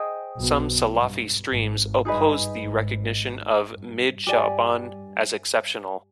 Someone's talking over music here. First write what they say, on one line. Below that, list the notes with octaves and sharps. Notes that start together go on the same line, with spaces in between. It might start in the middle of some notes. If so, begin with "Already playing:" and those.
Some Salafi streams oppose the recognition of Mid-Sha'ban as exceptional.
Already playing: G#4 C5 D#5 G5
B1 B2
G2
G#1 G#2
G2 D#4 G#4 B4 D#5
G#1 G#2
G2
G2 G4 D5 G#5